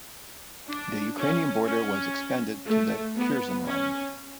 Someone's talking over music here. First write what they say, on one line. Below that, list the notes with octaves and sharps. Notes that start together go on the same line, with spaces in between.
The Ukrainian border was expanded to the Curzon Line.
D4
C#4
C#4
A3
B3
C#4